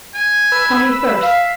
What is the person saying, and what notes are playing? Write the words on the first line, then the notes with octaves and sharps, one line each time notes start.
"Tell me first."
G#5
B4 E6
E5 F5